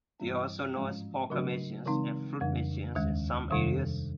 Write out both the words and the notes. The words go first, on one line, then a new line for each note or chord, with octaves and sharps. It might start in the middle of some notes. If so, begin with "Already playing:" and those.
They are also known as "poker machines" and "fruit machines" in some areas.
G2 E3 G3 C4
G#2 F3 G#3 C#4
C#3 F#3 A3 D4 F#4
C#3 E3 G#3 C4 D#4
F2 C#3 E3 G3
D#2 D#3 G#3
F2 C3 D#3 G3